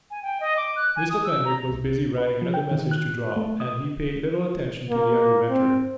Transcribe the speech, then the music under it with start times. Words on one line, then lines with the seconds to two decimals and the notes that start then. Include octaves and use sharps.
Mr. Fenwick was busy writing another message to drop, and he paid little attention to the young inventor.
0.11 G#5
0.23 G5
0.40 D#5
0.57 D6
0.76 F#6
0.96 G#5
1.10 D#6
1.24 E6
1.45 A#5
1.70 C2
2.18 B4
2.42 F3
2.54 G5
2.71 D#3
2.91 F#6
3.36 A3
3.60 D#6
4.90 A#3
5.49 C4